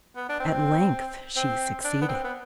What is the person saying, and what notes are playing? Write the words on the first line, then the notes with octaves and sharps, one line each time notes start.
At length she succeeded.
B3
D4
C4
C4
D4
B3
C4
B3